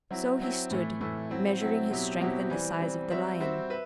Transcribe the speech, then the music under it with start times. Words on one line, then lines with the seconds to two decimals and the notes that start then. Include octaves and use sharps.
So he stood, measuring his strength and the size of the lion.
0.11 F#3 C4 E4
0.40 F#3 C4 E4
0.71 A2 E3 A3 E4
1.00 A2 E3 A3 E4
1.30 F#3 C4 E4
1.60 F#3 C4 E4
1.90 B2 F#3 C4 E4 G4
2.20 B2 F#3 C4 E4 G4
2.50 E3 G3 C4
2.80 E3 G3 C4
3.10 G3 C4 F#4 C5 E5
3.40 G3 C4 F#4 C5 E5
3.70 B4 E5